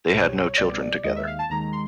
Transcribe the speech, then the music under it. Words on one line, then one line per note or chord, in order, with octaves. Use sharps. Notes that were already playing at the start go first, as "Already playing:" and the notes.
They had no children together.
C2 B2 G3 C5
C#5
C#5
C2 B2 G3 D5
D#2 D#3 G#3 D#5
E5
F5
A5
D#2 D#3 G#3 A#5
C6